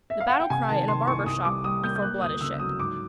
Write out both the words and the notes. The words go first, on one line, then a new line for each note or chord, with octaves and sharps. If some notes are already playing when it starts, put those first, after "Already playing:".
The battle cry in a barber shop before blood is shed.
E5
F5
F#5
G5
C3 G#5
D#3 A5
C3 C6
C2 C#6
C3 D#6
G3 D6
G3 D#6
A#3 G6
G6
A#3 F#6
D2 D#6
C#3 E6
F#3 D#6
G#2 D6